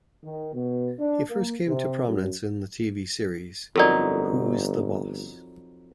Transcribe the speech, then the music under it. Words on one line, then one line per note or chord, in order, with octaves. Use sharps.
He first came to prominence on the television series "Who's the Boss?".
D#3
B2
D4
A#3
C3
F#2
G1 F2 F#3 D#4 A4 A#4 D5